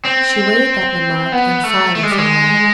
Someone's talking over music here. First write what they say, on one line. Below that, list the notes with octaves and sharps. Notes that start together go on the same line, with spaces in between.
She weighed that remark in silence a while.
C4
B3
A3
A3
G#3
G3
G#3